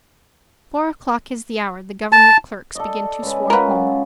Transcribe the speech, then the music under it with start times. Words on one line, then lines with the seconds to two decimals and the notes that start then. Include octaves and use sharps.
Four o'clock is the hour the Government clerks begin to swarm homewards.
2.12 A5
2.75 A4 D5 D#5
3.22 C#3 G#3 B4
3.50 C#4 F4 A#4 B4 F#5